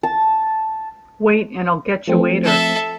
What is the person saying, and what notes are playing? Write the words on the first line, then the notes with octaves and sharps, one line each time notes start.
Wait and I'll getcha waiter.
A5
F3 A3 C4
A4 E5